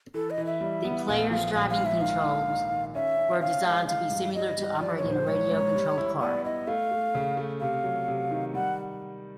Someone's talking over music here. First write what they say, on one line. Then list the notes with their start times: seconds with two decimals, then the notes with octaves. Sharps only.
The player's driving controls were designed to be similar to operating a radio-controlled car.
0.14 E3 A4
0.30 D#5
0.38 E3
0.46 E5
0.61 G3
0.84 B3
1.08 A#1 F5
1.31 F3 F5
1.54 A#1 F5
1.70 F5
1.78 G#2
1.86 E5
2.01 D#3 F5
2.24 D#3
2.48 D#3
2.71 D#3
2.95 C#4 E5
3.17 C#4
3.41 C#4 F5
3.65 G#3
3.87 E3 F5
4.11 G2
4.35 G3 D#5
4.58 G3
4.81 F3 D5
4.97 C#5
5.04 A#1
5.12 C5
5.27 G#2 C#5
5.51 G#2
5.74 G3
5.98 E4
6.21 B3 D5
6.44 E4 D#5
6.67 A3 F5
6.91 A3
7.15 C#3
7.37 A3
7.61 C3 F5
7.84 F#3
8.08 C3
8.31 D#3
8.54 G3 F#5